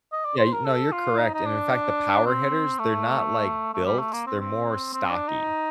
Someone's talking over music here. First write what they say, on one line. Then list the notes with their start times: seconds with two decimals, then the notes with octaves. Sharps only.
Yeah, y no, you're correct and in fact, the power hitters, they're not, like, built, they're more stocky.
0.12 D#5
0.25 D5
0.38 C5
0.52 A#4
0.65 A4
0.92 F4
1.18 D#4
1.34 D#4
1.45 D4
2.26 C4
2.79 A3
3.74 A3
3.86 G3
3.99 A3
4.13 A#3
4.26 C4
4.40 C4
4.93 C4
5.10 D4
5.28 D#4